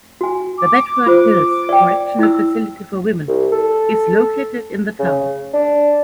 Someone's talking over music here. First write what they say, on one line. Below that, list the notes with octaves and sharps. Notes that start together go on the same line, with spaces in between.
The Bedford Hills Correctional Facility for Women is located in the town.
F#4 G#5
D6
F4 C5
D5 G5
E4 E6
C2
A4
C#3
D4